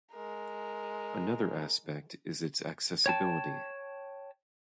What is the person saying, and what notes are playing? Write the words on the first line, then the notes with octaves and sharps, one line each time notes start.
Another aspect is its accessibility.
G#3 A#4
C#5 G5 A5